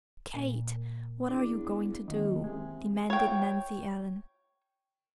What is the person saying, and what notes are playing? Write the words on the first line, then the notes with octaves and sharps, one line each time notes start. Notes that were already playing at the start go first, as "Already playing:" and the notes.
"Kate, what are you going to do?" demanded Nancy Ellen.
A#2
E2 D4
F#1 D#3
C3 G#3
C#5 G5